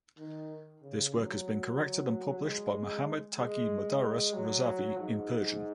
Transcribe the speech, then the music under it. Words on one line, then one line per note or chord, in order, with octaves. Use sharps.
This work has been corrected and published by Mohammad Taghi Modarres Razavi in Persian.
D#3
C#3
F#3
G#3
G#3
F#3
G#2